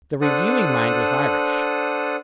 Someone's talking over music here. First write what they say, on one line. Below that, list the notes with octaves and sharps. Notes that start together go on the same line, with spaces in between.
The reviewing mind was Irish.
D4 A4 C5 F#5 D#6